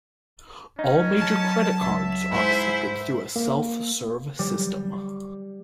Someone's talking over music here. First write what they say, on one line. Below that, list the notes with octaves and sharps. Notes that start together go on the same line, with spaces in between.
All major credit cards are accepted through a self serve system.
C#4 D#4
F#3 A5
C#2 E5
G#2 E4 C5
A#3
G3